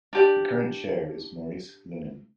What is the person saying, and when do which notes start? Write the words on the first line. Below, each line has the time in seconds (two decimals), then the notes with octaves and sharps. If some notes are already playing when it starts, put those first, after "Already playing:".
The current chair is Maurice Limmen.
0.13 D4 G4 D5